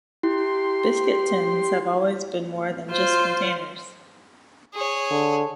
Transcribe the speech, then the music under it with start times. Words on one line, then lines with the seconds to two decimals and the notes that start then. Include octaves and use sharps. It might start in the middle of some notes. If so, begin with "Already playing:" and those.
Biscuit tins have always been more than just containers.
0.23 E4 G4 C6
2.91 F4 C5
4.74 G#4 C#5
5.11 D3